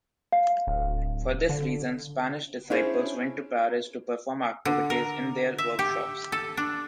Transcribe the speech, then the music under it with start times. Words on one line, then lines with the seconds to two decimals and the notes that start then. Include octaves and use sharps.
For this reason, Spanish disciples went to Paris to perform activities in their workshops.
0.32 F5
0.67 D1
1.49 D3
2.70 C#4 D4 E4 G#4 C5 C#5
4.65 D3
4.90 A#4
5.58 E5
5.79 G4
6.32 A4
6.57 D4